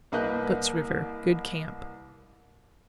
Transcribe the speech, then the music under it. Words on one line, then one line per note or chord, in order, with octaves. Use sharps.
Soot's River.--Good camp.
C2 A#3 B4 D#5 F#6 G6